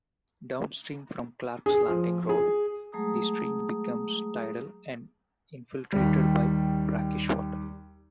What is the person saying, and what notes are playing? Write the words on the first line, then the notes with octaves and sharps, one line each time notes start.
Downstream from Clark's Landing Road, the stream becomes tidal and infiltrated by brackish water.
G#4
F3
G#4
F#3 G#3 A3 G#4 A#5 D#6
D#2 G3